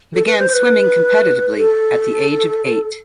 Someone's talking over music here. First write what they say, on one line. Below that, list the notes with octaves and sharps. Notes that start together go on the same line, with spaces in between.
He began swimming competitively at the age of eight.
A4
B4
C5
C5
B4
A4